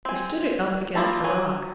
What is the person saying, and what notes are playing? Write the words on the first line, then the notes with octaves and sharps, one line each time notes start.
We stood it up against a rock.
C4 G#5
F3 A#3 E4 A5
F#3 G#5